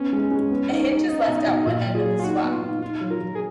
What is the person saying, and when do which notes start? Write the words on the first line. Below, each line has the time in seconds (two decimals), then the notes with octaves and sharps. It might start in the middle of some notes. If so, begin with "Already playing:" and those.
A hinge is left at one end of this flap.
Already playing: B3 C#4
0.13 G#3
0.31 G#3
0.51 B3
0.71 D#4
0.89 D#4
1.08 C#4 D#4
1.28 B2
1.37 D#4
1.47 B2
1.66 A#2 F4
1.85 F#3
1.95 G#4
2.05 F#3
2.20 F4
2.24 D#4 F#4
2.44 B3
2.53 F4
2.63 D#4
2.82 D#4 F4
3.00 F#3
3.11 A#4
3.20 F#3
3.35 G#4